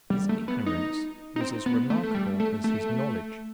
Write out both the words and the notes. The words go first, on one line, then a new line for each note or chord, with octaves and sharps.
His ignorance was as remarkable as his knowledge.
G3
A3
B3
D#4
D#4
C4
B3
A3
A3
G3
A3
A3